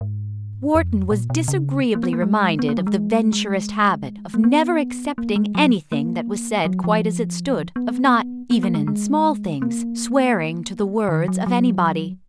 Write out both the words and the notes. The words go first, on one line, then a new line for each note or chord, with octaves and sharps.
Wharton was disagreeably reminded of the Venturist habit of never accepting anything that was said quite as it stood--of not, even in small things, "swearing to the words" of anybody.
G#2
F2
A#2
B2
C#3
A#3
B3
A#3
G#3
B3
A#3
F#3
G#3
G#3
A#3
B3
A#3
G#3
F#3
A#3
F#3
F3
B3
B3
A#3
G#3
G#3
A#3
D#3
F#3
F#3